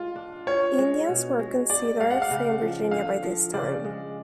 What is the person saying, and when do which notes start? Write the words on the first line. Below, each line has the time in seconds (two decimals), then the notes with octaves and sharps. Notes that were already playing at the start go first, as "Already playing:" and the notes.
Indians were considered free in Virginia by this time.
Already playing: G#3 F4
0.16 D4
0.47 F4 C#5
0.78 G#3
1.09 B2
1.39 G#3
1.70 G#4 D5
2.00 G#3 F5
2.11 F#5
2.22 F5
2.31 C#3
2.61 F3
2.91 D3 F5
3.23 F3
3.53 C#3 D5
3.84 G#3